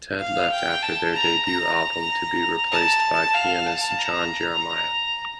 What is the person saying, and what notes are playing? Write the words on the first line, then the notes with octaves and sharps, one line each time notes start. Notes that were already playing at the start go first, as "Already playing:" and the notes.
Ted left after their debut album to be replaced by pianist John Jeremiah.
F5
G5
A5
A#5
A#5
A5
F5
A5
A#5